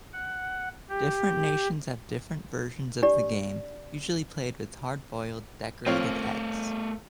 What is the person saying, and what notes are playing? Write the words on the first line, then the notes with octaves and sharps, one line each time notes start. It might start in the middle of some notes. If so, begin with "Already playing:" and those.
Different nations have different versions of the game, usually played with hard-boiled, decorated eggs.
F#5
G4
D4 G4 D5
A3 C4 F4 A#4 C#5